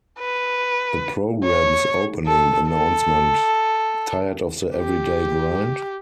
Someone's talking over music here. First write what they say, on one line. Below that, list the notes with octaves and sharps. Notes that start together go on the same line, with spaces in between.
The program's opening announcement-Tired of the everyday grind?
B4
C#5
A4
A4
G4